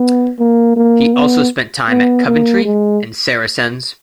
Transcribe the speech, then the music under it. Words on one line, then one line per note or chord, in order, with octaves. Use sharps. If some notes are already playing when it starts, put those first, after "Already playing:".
He also spent time at Coventry and Saracens.
Already playing: B3
A#3
A#3
B3
B3
A#3
G#3